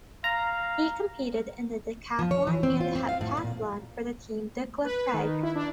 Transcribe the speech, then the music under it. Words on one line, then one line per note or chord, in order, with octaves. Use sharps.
He competed in the decathlon and heptathlon for the team "Dukla Prague".
F5 A#5
F3
C#5
E3
C4
F4
C4
F5
A2
A#2
B4
D#3
E4
D4